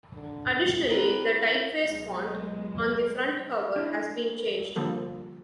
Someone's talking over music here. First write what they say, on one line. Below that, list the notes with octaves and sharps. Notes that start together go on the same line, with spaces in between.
Additionally, the typeface font on the front cover has been changed.
D3
E2 C4 A#4 B4
C#2 B2 F#3 G#3
D4 E4
D3 F3 G3 A#3 A4